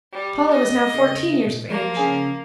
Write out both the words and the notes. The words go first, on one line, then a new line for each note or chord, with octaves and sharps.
Paula was now fourteen years of age.
G3
D#5
C#3
A3
F3 A#3
C#3 C#4 G#4